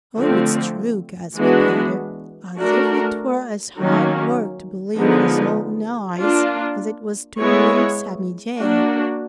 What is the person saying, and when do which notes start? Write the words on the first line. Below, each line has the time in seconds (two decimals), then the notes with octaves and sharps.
"Oh, it's true!" gasped Peter, as if it were as hard work to believe his own eyes as it was to believe Sammy Jay.
0.17 D3 F3 A3 C4
1.36 E3 G#3 B3 D4 F#4
2.57 A3 D4 F#4 A#4
3.78 D#3 F#3 A#3 C#4
4.97 D3 F3 G#3 B3 D#4
6.18 A#3 D4 F4
7.38 G#3 B3 E4 G#4 C#5
8.58 A#3 D4 F#4